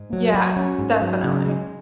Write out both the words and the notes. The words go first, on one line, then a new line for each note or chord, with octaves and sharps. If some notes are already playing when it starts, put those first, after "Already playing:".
Yeah, definitely.
Already playing: G#2
F#3
F#4
C#4
G#2
F#3
C#3
G#3